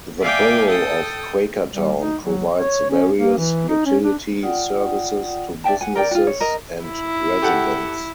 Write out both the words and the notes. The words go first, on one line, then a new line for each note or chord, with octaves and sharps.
The borough of Quakertown provides various utility services to businesses and residents.
D5 E5 F5 G5 G#5 D6
A4 G5 D#6
G3
D#4
F#3
C#5
C#4
A#3
E3
D#4
C#4
D4
F4 D5 F#5 G5 D#6
D5 E5 G5 A5
F#5 G#5
A#4 D5 G5
F4 F#4
C#5
A#4 D#5
E4
G4 A4 F#5